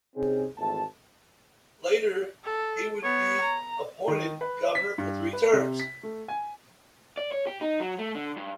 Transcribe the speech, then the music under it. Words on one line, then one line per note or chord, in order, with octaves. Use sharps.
Later he would be appointed Governor for three terms.
C3 C4 C#4 D#4 G#4
G#1 E2 A3 A5
A4
B3 C#5
A#5
D#3
B4
B6
G2
B4
C3
B6
A3
G#5
D5
C#5
G4
D#4
F#3
A3
D3
G2